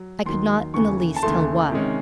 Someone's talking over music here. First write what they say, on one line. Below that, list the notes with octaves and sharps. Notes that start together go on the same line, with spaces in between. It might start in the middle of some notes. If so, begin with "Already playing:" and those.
I could not in the least tell why.
Already playing: F#3
D#2 D#3 F#3 C6
D#2 C#3 E3 A3 C#6
A5
D#2 C#3 E3 A3 C6
C3 D#3 G#3 C#4